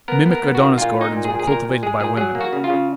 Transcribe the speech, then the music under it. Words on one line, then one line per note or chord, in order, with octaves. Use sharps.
Mimic Adonis gardens were cultivated by women.
B3 A#4
B3
A#4
B3
F#4
D#3
A#2 F4
A#2
D#4
A#2
G#4
A#2
G#4
A#2 A#4
A#2
G#3 G#4
A#2 G#4
F#3 G#4
A#3
F#4
C#3
F4
C#3